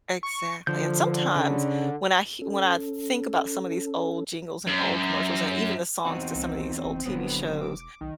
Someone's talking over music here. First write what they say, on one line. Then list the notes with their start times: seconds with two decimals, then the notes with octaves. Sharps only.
Exactly, and sometimes when I hea I when I th think about some of these old jingles and old commercials and even the songs to some of these old TV shows,
0.23 C#6
0.67 D3 F3 G6
1.35 C#3
2.42 C#4 A4
4.67 F#2
6.05 E2 C4 D#4 F#4
6.35 C2
6.84 F#1
7.06 E1 D3 F#3 B3 C4
7.61 D6
8.01 B1 D#3